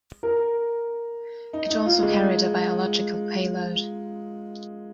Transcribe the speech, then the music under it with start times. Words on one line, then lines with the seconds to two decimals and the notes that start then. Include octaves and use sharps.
It also carried a biological payload.
0.23 A#4
1.53 D#4
1.70 D#4
1.86 F4
2.02 G#3